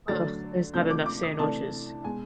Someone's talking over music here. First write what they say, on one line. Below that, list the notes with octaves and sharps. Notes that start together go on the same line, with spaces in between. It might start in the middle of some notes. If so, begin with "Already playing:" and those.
uh, there's not enough sandwiches
D3 F#3 A3 D4 A6
C3 F3 A3 D4 G6
D6
D6
D#6
C3 E3 A3 D4 A5
B2 G#3 G#5